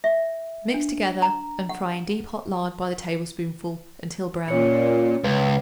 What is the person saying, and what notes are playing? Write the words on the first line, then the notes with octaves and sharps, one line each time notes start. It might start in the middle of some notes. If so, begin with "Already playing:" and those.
Mix together and fry in deep hot lard by the tablespoonful until brown.
E5
D4
A#5
F#5
A#2 C#4 C#5 C#7
C#2 B4